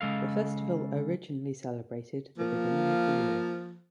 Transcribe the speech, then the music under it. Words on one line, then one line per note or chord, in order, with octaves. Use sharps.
The festival originally celebrated the beginning of the year.
C#3 G#3 A4 F5
F3 A#3